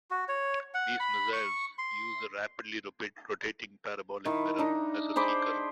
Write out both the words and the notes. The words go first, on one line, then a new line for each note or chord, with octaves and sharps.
These missiles use a rapidly rotating parabolic mirror as a seeker.
F#4
C#5
F#5
B5
C#6
C6
D#3 E4
D4 D#4
G#4 C5 B5 D6